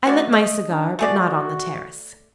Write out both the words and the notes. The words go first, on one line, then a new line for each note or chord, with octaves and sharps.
I lit my cigar, but not on the terrace.
A3 B3 F#4 D5
D#5
D4
A3 F#4 G#4 D5